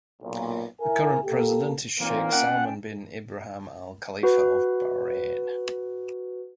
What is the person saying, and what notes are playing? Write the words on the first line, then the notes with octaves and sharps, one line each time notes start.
The current president is Sheikh Salman Bin Ibrahim Al-Khalifa of Bahrain.
B1 A#2
E4 A#4 E5 G#5
A#3 G4 A4
A#2 E3 A#3 C4 D#4
C#4 D4 F#5 G5
F#4 B4